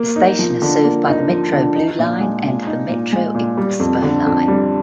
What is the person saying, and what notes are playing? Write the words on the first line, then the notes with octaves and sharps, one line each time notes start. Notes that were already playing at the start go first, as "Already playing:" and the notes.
The station is served by the Metro Blue Line and the Metro Expo Line.
Already playing: A#3
D#4
F3
D3
A#3
D#4
F3
D3
D#4
A#2
G#3
A#2
D#4
A#2
G#3
A#2
G3
F2
D3
F2
G3